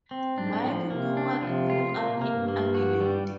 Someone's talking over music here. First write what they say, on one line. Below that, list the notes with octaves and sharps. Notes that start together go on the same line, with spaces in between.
Mike Coward grew up in Adelaide.
C4
G#2 D4
A2
F3
C3 A#3
D4
C3 F3
F4
A#2 A#3
C3
A#3
G2
A#3
F#4
G3